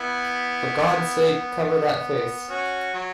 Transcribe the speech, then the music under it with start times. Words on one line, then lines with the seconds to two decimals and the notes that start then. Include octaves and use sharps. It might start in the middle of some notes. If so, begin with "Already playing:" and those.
For Gawd's sake, cover that face!
Already playing: B3 E4
1.63 B3
2.50 C#4 F#4
2.94 F#3